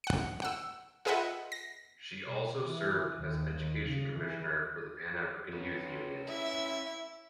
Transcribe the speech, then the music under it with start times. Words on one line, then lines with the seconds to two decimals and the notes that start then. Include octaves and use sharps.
She also served as education commissioner for the Panafrican Youth Union.
0.04 F#5 C#7
0.42 F#5 E6
1.05 F4 G#4 B4 D#5 E5 F#5
1.52 A#6
2.25 B2
2.68 E3
3.18 D#2
3.56 D#2
3.85 C#3
4.18 E3
5.53 C#4 B4
6.28 E4 E5